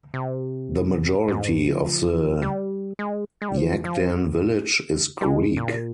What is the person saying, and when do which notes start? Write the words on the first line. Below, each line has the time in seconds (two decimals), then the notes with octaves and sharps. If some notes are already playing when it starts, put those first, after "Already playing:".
The majority of the Yaghdan village is Greek.
0.14 C3
1.28 G#2
1.47 G2
1.67 F3
2.42 G3
2.99 G#3
3.42 G#3
3.49 G3
3.57 F3
3.85 F3
5.21 G3
5.28 G#3
5.57 A#2